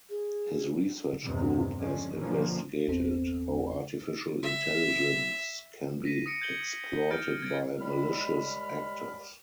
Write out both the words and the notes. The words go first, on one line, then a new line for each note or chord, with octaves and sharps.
His research group has investigated how artificial intelligence can be exploited by malicious actors.
G#4
E2 G2 C3 D#3
D3 F3 G#3 C#4
B2 D3 F3 A#3 B3 C#4
G1 E2 B3 C4 A4 C5
E5
A#6 B6 D#7
D#6 A#6 C#7 D7
G6 G#6 C#7 F#7 G7
F6 G6 A6 D7
G#6 A6 D7
D#2 G3 G#3 B5 F6